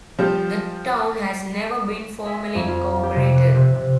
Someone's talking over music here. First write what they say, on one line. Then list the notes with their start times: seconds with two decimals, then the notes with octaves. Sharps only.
The town has never been formally incorporated.
0.18 F3 G3
2.26 E5
2.55 F2
2.68 F4
3.03 G4
3.15 C3
3.36 F#6
3.55 C3
3.74 C3